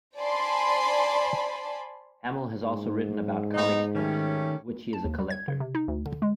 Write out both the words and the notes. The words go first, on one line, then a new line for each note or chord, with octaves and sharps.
Hamill has also written about comic strips, of which he is a collector.
C5 D5 G#5 A5 B5 C6
G#2
B3 D#4
D#3 G3 A3 C#4
A5
D#2
G3
G#6
C#3
C3
D#4
D2
D3
G#3